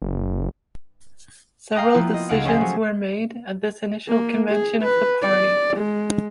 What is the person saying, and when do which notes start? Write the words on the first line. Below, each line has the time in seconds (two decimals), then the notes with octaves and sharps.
Several decisions were made at this initial convention of the party.
0.02 F#1
1.74 F5 G5 A#5 D#6 F#6
1.94 F3 A#3 B3 E4 F4
2.14 D#5
2.29 C#2 D#4 G#4 F5 F#5 D7
2.45 C#4 G#4 A4 C5 G#5
2.57 F3 F#3
4.09 A#3
4.50 G#4
4.82 B4
5.22 D5
5.77 G#3